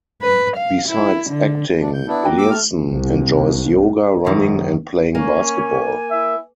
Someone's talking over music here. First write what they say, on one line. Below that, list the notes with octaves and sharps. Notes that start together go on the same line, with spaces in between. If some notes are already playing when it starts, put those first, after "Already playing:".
Besides acting, Leerhsen enjoys yoga, running, and playing basketball.
B4
F5
E4
D3
D4
G6
B3 D4 E4
A#3 F#4 G5
D6 E6
A3 F6
C2
C#2 F#2 D#3
A#3 C#4 G#5
E4 E5